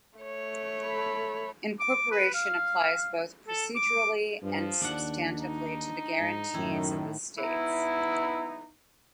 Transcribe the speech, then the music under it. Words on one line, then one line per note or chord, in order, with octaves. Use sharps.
Incorporation applies both procedurally and substantively to the guarantees of the states.
A3 C#5
A4 B5
D6
B4
F5
A4
D6
G2 F3
D#2 D4 F#5
D#4
G#2
F#2 A2 D#3 E4
B3 D#4 E4